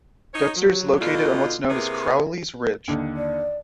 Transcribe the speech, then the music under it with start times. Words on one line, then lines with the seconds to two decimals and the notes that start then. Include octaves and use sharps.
Dexter is located on what is known as Crowley's Ridge.
0.34 D#4 C#5
0.57 F#3
1.01 B2 D3 D#4 F4
1.69 C3 A#3 E4 G#4 B4
2.88 D#2 D3
3.16 D5